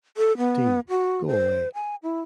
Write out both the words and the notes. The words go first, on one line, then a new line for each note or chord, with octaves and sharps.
Dean, go away.
A4
B3
F#4
C5
G#5
E4